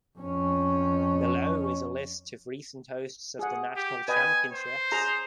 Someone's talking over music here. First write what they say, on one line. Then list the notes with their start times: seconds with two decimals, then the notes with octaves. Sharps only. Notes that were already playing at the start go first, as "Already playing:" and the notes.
Below is a list of recent hosts of the National Championships.
0.18 F2 C#4
3.39 G#4 F#5
3.77 G4
4.08 B4 D#5 G5 G#5
4.53 C5
4.92 G#4 A#5